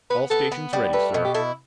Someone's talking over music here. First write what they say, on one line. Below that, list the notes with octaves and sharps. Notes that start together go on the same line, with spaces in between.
"All stations ready, sir."
B3 B4
B3 A4
B3
G3
A3 B4
B2
G4
E4 A4